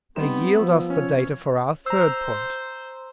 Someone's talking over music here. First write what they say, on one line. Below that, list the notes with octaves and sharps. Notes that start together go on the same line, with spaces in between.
They yield us the data for our third point.
G3 B3 C4 D#4
F3 E6
C#4 C#5
C5 A#5 E6